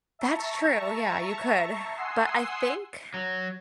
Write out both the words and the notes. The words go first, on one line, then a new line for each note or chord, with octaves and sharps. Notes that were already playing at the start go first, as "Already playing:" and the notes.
That's true, yeah, you could, but I think
E5 A5 A#5 C#6
F#5 G#5 C6 D#6 E6 C7
F#3